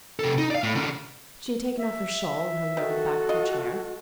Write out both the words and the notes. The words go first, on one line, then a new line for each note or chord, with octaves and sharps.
She had taken off her shawl, and hung it over the back of her chair.
C3 A4
D#4
D5 F5
A2
D3 C#4
E5
D#3 F#4 A4
F4 D#5